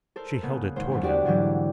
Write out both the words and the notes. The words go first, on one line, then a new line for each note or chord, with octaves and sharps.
She held it toward him.
A4 A#4 C5
C#3 A#3 B3
G#1 C5
F#1 D2
D4 F#4 G4 D5
G#2 D3 E3 F#3 G4